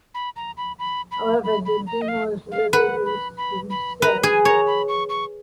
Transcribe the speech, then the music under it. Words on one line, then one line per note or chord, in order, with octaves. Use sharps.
However the demos were released instead.
B5
A#5
B5
B5
B5
B5
B5
A#5
D#5
F5
F5
B4 F#5
B5
B5
B5
B4 A#5
G#4 G#5
C#5 A#5
B5
C#6
C#6